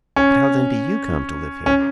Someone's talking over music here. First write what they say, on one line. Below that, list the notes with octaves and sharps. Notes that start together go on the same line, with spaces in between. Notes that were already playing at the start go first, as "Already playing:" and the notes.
"But how then do you come to live here?"
C#4
C#4